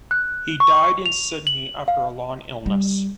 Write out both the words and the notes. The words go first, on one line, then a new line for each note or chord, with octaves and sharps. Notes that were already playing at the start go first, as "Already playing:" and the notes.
He died in Sydney after a long illness.
F#6
C#6
F7
F#7
F5
G3